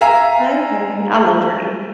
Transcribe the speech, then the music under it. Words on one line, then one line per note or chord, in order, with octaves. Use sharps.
Okay. I love to read.
E5 F5 G#5 A#5